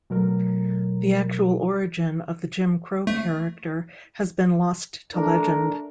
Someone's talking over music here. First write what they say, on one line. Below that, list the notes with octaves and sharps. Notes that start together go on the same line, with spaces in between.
The actual origin of the Jim Crow character has been lost to legend.
B2 F#3 A3 A#4
A3
A3 D4 A#4